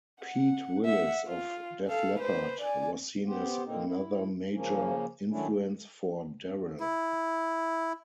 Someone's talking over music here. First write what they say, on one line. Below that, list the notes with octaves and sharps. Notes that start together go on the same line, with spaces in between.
Pete Willis of Def Leppard was seen as another major influence for Darrell.
F#5
E5 F#5
F4
A4 F5
B4 C5
D5 G#5
B3 G4 C5
A#2 D3 A#3 C4 D#4
E4
C#3 F3 A#3 C#4
D#3 F#3 A3 C#4 D4 E4
E4